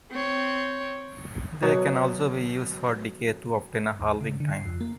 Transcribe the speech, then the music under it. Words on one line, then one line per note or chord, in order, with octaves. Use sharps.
They can also be used for decay to obtain a halving time.
C4 C#5
B2 F#3
D#2
C#3
D3
C7
F2
A#3